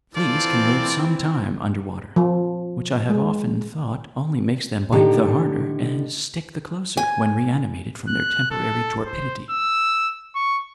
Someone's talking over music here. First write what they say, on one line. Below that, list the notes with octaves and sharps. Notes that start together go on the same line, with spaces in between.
Fleas can live some time under water; which I have often thought only makes them bite the harder and stick the closer, when reanimated from their temporary torpidity.
E3 C4 F4 A4 C5 D5
F3
G#3
A2 D3 D#3 G4 A#5
G#5
F#6
A4
C5
E6
C#6